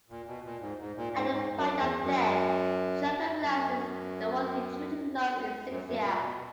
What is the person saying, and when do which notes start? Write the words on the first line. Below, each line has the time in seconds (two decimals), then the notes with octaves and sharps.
At the point of death, Joker realises the one he truly loves is Zixia.
0.10 A#2
0.27 B2
0.45 A#2
0.61 G#2
0.80 G#2
0.97 A#2
1.15 G#2
1.31 G#2
1.56 F#2
1.78 E2
2.02 F#2
3.41 F#2
5.69 F#2
5.86 F#2
6.04 A#2
6.21 B2